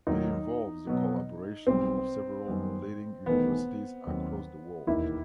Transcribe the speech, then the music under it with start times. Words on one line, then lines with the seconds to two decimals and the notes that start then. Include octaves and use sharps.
It involves the collaboration of several leading universities across the world.
0.07 D#2 D#3 F#3 D#4
0.87 B2 F#3 B3
1.67 B1 B2 G3 C4
2.47 F#2 D#3 G3 B3
3.26 E1 E2 D#3 A3 B3
4.07 D#2 D#3 F#3 C4
4.87 E1 D#2 D#3 E4